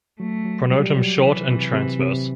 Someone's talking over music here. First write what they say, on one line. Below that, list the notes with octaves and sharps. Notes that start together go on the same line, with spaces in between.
Pronotum short and transverse.
F#3 A3
F#3
F#3 G3
F#3
C3 E3
C3
C3
C3